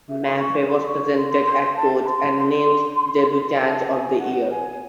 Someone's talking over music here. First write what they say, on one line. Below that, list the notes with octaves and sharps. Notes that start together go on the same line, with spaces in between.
Maffey was presented at Court and named Debutante of the Year.
E5
C6
C#6
C6
C#6
C6
C6
C6
C6
A5
C6
C6
A5
F#5
G#5
F#5
G#5